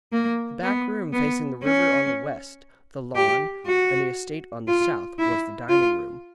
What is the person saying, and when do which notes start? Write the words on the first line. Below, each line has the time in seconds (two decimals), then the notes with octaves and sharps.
The back room facing the river on the west, the lawn and the estate on the south, was the dining-room.
0.12 A#3
0.63 B3
1.13 B3
1.63 C#4
3.15 G4
3.66 F#4
4.67 F4
5.19 E4
5.69 F4